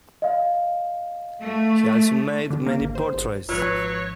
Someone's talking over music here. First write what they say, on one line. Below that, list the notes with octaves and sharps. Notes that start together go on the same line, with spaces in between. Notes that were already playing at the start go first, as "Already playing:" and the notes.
He also made many portraits.
D#5 F5
A3
D3
A#3
G#1
C5
G#1
G#1 G#2 F3 F#3 F4 B4 C#5 E6